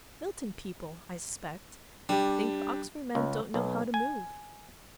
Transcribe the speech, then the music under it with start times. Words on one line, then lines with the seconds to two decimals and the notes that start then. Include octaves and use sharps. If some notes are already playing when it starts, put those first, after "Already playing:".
'Milton people, I suspect, think Oxford men don't know how to move.
2.09 G3 D4 G4
3.15 C#2
3.54 B1
3.94 G#5